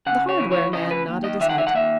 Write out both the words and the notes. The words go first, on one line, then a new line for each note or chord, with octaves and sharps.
The hardware man nodded his head.
C#3 F#5
C#5
E3
C#5
C#3 D#5
B4
D#2
D#5
D#3 E5
F#5
E5
F#5
D#2 E5